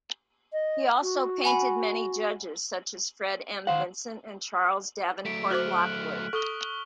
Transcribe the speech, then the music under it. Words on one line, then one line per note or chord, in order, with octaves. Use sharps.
He also painted many judges such as Fred M. Vinson and Charles Davenport Lockwood.
D#5
F#4
F#5 G#5 B5
D#3 C5 F5 F#5
F#3 A3 B6 D7
F#4 C5 D6 F6 F#6 F#7
A4 C#6 D#6 G7